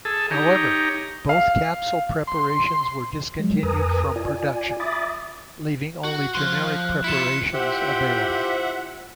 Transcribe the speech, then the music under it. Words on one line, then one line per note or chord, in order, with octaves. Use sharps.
However, both capsule preparations were discontinued from production, leaving only generic preparations available.
G#4 A4 A5 E6
D#4 G4 C#5 A#5
F5
C6
F3 F#3 G#3
F2 A#4 B4 G#5 A#5 D#6
F4 D5 G#5
E5 B5 D6 D#6 A6
F#4
F3 C6 F#6
E4 F4 B6 C#7 E7
E4 F4 G4 C5 E5 F#5